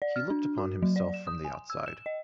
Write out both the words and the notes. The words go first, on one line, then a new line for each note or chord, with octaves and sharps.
He looked upon himself from the outside.
D5
F6
D4
F#4
F#3
D5
E7
D#6
G#5
E6
E7
D#5